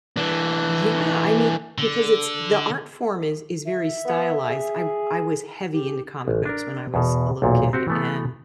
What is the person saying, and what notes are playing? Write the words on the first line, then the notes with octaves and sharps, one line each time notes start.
Yeah, I mean, because it's the art form is is very stylized, I I was heavy into comic books when I was a little kid, and
E3 D4
D3
E5
B3
G#4
G4
A1
D4 A#4
E2 B2
B1 E2 A#2
C4 F#4 G4
E3 A3 B3